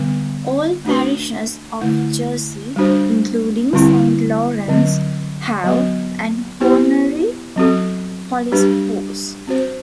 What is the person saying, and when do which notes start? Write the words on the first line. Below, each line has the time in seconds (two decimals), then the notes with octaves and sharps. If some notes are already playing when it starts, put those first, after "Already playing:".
All parishes of Jersey, including Saint Lawrence, have an Honorary Police force.
Already playing: D3 G3 B3
0.85 A3 D4 F#4 B4
1.81 D3 A3 E4
2.76 G3 D4 F#4 C5
3.73 D3 G3 C4 E4
4.68 D3 F#3 C4
5.64 F#3 B3 F#4 B4
6.60 B3 E4 G4 C5
7.56 F#3 C4 F#4 A4
8.52 G3 D4 G4 B4
9.47 C4 F#4 C5